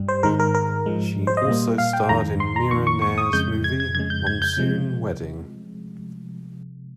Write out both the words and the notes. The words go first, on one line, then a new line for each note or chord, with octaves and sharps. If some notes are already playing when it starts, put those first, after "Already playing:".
She also starred in Mira Nair's movie "Monsoon Wedding".
Already playing: G2 G3
C5
G#2 D#3 G#3 A#4
A#4
A#4
G#2 F3 G#3
C5
D#5
A#2 G3 A#3
F5
G5
F2 D#3 G#3 A#5
C6
A#5
F2 D#3 A#3 C#6
C#6
C#6
D#6
F2 C#3 G#3 G6
G#6
G#6
F2 C#3 G#3 G#6
G6
G#6
G6
C3 F3 G#3